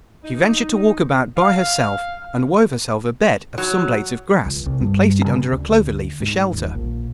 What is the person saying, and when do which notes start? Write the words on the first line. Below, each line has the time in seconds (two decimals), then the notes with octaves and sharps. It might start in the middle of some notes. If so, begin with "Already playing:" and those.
She ventured to walk about by herself, and wove herself a bed of some blades of grass, and placed it under a clover leaf for shelter.
0.24 D#4
1.37 F5
3.58 F#3
4.46 C#2
4.66 C2
4.80 G2
5.25 C#3
5.52 D2
6.20 G#2
6.54 D#1
6.75 A#1